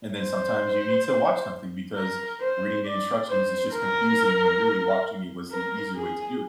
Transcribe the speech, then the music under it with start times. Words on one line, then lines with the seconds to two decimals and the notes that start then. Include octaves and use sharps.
and then sometimes you need to watch something because reading the instructions is just confusing when really watching it was the easier way to do it.
0.19 C5
1.96 A#4
2.40 C5
2.85 D5
3.29 C5
3.73 A#4
5.51 A#4
5.95 G#4